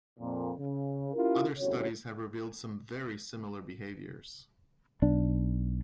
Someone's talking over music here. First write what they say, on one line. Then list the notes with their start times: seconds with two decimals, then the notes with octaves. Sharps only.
Other studies have revealed some very similar behaviors.
0.19 F2 A#2
0.57 C#3
1.13 C#4 E4 F4 G4 A#4
1.58 G1 A2 C3 C#4 F#4 C#5
5.02 B1 D4